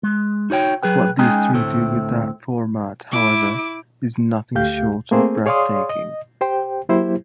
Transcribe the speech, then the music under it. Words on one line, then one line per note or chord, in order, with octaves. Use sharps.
What these three do with that format, however, is nothing short of breathtaking.
G#3
D#4 F#4 C#5 G5
F#3 G#4 B4 G5
G#3 C#4 D#4 G#4 G5 G#5
D2 A2 A3 C4
E4 D6
D2 A3 G4 F5 G6
A3 A#3 C4 G#4 C5
G#4 C#5 D5 F5 C6 D#6
D#5
G4 C5 G5
F#3 A#3 E4 G4 C5